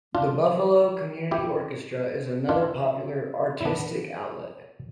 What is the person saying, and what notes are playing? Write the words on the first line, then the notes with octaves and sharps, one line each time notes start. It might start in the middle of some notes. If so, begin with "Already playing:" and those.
The Buffalo Community Orchestra is another popular artistic outlet.
D4 F4
E4 G4
D4 F4
E4
B3 D4